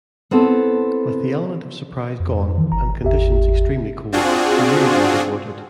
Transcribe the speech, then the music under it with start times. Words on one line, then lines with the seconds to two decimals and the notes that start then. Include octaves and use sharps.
With the element of surprise gone, and conditions extremely cold, the raid was aborted.
0.31 B3 C4 E4 A4
2.20 F2
2.58 D#3 E3
2.72 G1 A#5
3.03 G#1 E2 G4 E5
4.12 C4 D4 F4 F#4 G#4